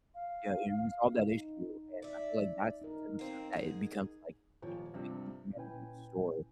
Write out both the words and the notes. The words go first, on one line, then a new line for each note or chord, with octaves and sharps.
you know, resolve that issue, and I feel like that's the type of stuff that it becomes, like, you know, faith in humanity restored.
F5
D#4
D5 E5
D#4 A#4
A#3 C4
G#2 G#4
D#1 F3 C#5
G2 C3 F3 G3
A#2 C#4 E4 B4 G5 G#5